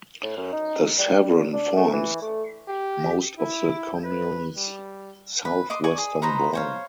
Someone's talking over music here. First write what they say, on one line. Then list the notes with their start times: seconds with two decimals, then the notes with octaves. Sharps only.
The Sevron forms most of the communes's southwestern border.
0.23 A2
0.37 F#2
0.53 D#4
0.98 G3
1.30 A#2
1.53 D4
1.77 A3
1.93 E3
2.22 A3
2.68 G4
3.38 E4
4.04 B4
4.57 G3
5.45 B4
5.70 D#5 C6 D6
5.84 D5 G#5 C#6 D6
5.98 G#4
6.22 D#4 B4 C5 A#5
6.53 C5 C#5 F5